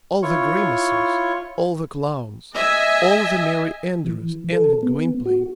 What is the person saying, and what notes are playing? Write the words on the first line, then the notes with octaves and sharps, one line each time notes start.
All the grimacers, all the clowns, all the merry-andrews envied Gwynplaine.
E4 F4 C#5 C#6
D#5 E5 G#5
E3
A4
B3
F#4